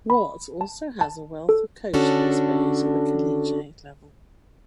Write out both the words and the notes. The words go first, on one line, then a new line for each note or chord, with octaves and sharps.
Watt also has a wealth of coaching experience at the collegiate level.
B5
A5
A5
A4
D3 C#4 D4 F#4 A4